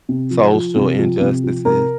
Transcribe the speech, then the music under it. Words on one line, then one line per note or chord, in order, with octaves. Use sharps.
social injustices.
C3
F3
F3
C3
F3
C3
F3
C3 A#4